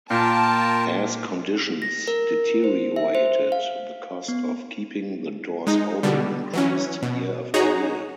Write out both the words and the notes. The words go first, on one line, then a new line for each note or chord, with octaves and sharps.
As conditions deteriorated the cost of keeping the doors open increased year after year.
A#2 F4 A#4 G5 A5
A#6
A#4
C5
E5
C5
F5
B3
G#3 D#4
B2 D3 G3
E3 F#3 C#4
B2
D#4 F#4 G#4 C#5 A#5